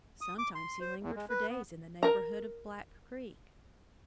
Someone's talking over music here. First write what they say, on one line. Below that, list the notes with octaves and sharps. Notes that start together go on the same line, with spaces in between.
Sometimes he lingered for days in the neighborhood of Black Creek.
D#6
D6
C6
C5
E2
G#3
B4
B3
A#4 A#5